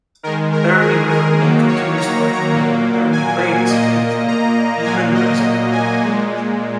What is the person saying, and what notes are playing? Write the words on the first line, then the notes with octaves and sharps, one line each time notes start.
The Laramie River then continues north through the Laramie Plains and through Wheatland Reservoir.
D#3 G#3 A#4
A#4
G#4
A#4
D#3 F#3 A#3
C#5
A#5
A#2 F#3 A#3
G#5
A#2 A#3 D#5
A#5
A#2 F#3 A#3 G#5
D#5
G#5
A#2 G#3